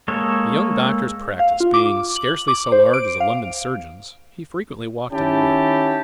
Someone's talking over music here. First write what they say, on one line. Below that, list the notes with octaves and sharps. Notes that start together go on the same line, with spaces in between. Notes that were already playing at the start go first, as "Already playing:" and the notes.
The young doctor's practice being scarcely so large as a London surgeon's, he frequently walked in the wood.
G#3 A#3 A4 C#5
F5
F4
D6
F#7
D6
C5
D7
F5
D#3 C#4 E4 G4 A5